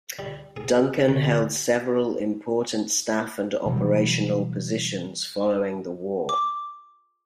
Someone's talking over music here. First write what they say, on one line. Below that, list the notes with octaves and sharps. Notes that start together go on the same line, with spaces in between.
Duncan held several important staff and operational positions following the war.
G3
G#4
D2
G3
B2 E3 F#3 G3
D6